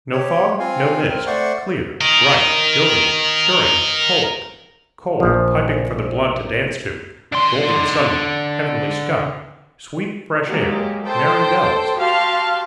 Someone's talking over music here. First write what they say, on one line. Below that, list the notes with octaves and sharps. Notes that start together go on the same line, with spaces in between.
No fog, no mist; clear, bright, jovial, stirring, cold; cold, piping for the blood to dance to; golden sunlight; heavenly sky; sweet fresh air; merry bells.
G4 C#5
C4 F4 F5 G#5
C4 A#4
A3 C5 D5 F#5 C#6
A#4 D#5
A#1 F3
D3 C6
F#3 G#3 A#3 G4
A4 C5 G5 A5
F#4 G4 F5 A5 C6